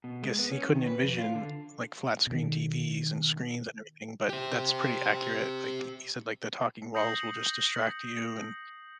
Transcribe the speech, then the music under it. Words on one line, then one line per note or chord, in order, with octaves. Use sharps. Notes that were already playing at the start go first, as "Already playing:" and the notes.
guess he couldn't envision, like, flat screen TVs, and screens, and everything, but that's pretty accurate, like, he he said like, "The talking walls will just distract you, and
B2
G#3
B3
C#4
D#3
B4
F2
F4
D3
B2 D#3
G4 C5
D#6 G6 A#6 C7 C#7 F#7